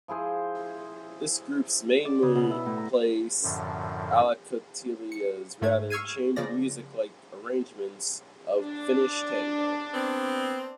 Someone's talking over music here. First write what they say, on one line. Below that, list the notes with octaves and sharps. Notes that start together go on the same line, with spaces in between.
This groups mainly plays Alakotila's rather chamber-music-like arrangements of Finnish tango.
F3 E4 G#4 C5
D5
C#3
B2
E4
A2
A#5
F#2 A2 D3 F3
C#7
G#2 A3 G#6
C#6 E6 F6 G#6 C7 D#7
C#3 F3 D5 A#6
D4
B3 C4